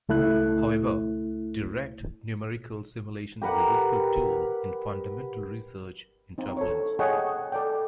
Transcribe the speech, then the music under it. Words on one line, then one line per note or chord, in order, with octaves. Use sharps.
However, direct numerical simulation is a useful tool in fundamental research in turbulence.
C#2 A3 E4 F#6
G4 A#4 B4 F#5
C4 D#4
A4 C#5
G#4 C#5 D#5 F#5 G5 A5
A4 D5 G5